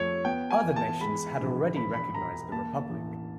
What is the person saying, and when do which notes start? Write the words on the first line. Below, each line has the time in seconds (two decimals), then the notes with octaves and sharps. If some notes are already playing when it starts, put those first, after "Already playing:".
Other nations had already recognized the Republic.
Already playing: F2 A3 C#5
0.25 B3 G5
0.51 G#5
0.63 E2
0.76 A5
1.01 G#3 B5
1.39 A#1
1.76 E1 B5
1.94 B5
2.14 E1 A#5
2.51 A#3 A5
2.90 A1